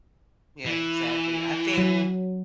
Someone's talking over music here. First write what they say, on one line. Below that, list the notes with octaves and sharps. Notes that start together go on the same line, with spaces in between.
Yeah, exactly. I think
E3
F#3